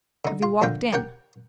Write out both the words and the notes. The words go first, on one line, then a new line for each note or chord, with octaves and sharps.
Have you walked in!...
D3 D#4
F4
A#1 A#2 D3 F5 G5
G4 A#4 F#5 G5